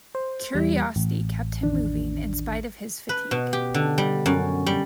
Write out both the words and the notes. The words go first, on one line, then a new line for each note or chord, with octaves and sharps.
Curiosity kept him moving in spite of his fatigue.
C5
E2 G3
A1
E2 D#3 D4
B4
B2
G4
D3
G3
F#2
G3